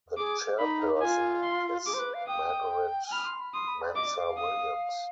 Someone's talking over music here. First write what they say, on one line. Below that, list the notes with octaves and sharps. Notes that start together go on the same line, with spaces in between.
The chairperson is Margaret Mensah-Williams.
G#4 D6
D#4 B5
D#4
F4 G#5
C6
G#4 D6
C5
B4
F5
G5 D#6
G#5
B5 F6
C6
B5
C6 D#6
B5
D5
D#5 D6
D5
F5
F5
D#6